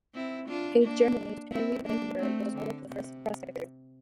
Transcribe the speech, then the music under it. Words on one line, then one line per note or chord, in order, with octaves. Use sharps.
A German named Henry Wickenburg was one of the first prospectors.
C4 E4
D4 F4
A#3 D4
C4 E4
A#3 D4
A3 C4
D3
C3